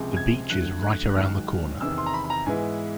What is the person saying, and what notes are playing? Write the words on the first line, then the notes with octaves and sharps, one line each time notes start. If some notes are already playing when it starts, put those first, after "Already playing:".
The beach is right around the corner.
Already playing: C#2 C3 F3 G#3
G#6
D#2 D3 F#3 A3 F#6
F#6
F#6
G#1 G#2 D#3 F#3 F6
E2 C3 D#3 E6
C6
A#5
B5
B5
A#5
G#2 E3 G#3 B3 E4 G#5